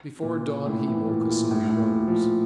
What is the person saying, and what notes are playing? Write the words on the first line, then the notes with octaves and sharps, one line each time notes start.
Before dawn he woke us, and we rose.
A#2
A2
E3
A#2
A#2
A2
A2
A#2
F3